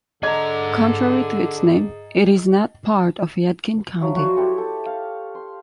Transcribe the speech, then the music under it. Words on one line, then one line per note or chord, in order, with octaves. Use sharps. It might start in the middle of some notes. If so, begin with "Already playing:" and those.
Contrary to its name, it is not part of Yadkin County.
D3 G#4 D#5 A#5 G#6
F3 F#3 E5
F#4 C5 D5
E4 G4 A4 C#5
A4
F5
C6